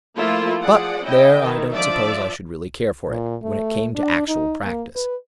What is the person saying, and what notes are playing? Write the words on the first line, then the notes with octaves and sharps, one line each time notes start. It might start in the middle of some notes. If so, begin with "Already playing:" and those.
But, there, I don't suppose I should really care for it when it came to actual practice.
F3 A3 A#3 E4 F4
F3 G#4 D5 F#5
C#4 E4 D#5 G5
D#3 E4
F3 D4 D5 E5
A#2
A3
D4
D#4
A#3
B4